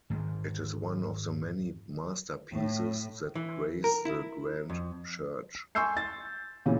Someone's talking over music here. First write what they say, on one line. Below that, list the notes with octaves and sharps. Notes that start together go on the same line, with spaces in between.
It is one of the many masterpieces that grace the grand church.
G#2 D#3 G#3
A2
E3
A#4
E4
F2
G#5 C6 C#6 E6 G6 C7
A6
A#2 C#3 E3 C#4